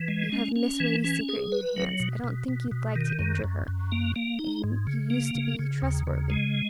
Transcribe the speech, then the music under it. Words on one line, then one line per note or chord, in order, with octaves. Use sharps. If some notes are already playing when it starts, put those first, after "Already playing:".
You have Miss Radie's secret in your hands, I don't think you'd like to injure her, and you used to be trustworthy.
Already playing: E3
G#3
C#4
C#4
E3
C#4
G#4
B4
F#3
B2
B2
B2
B2
D#3
F#2
F#2
F#2
A#3
A#3
D#4
G#2
C#3
A#3
C#3
C#3
D#2
C#3
G#3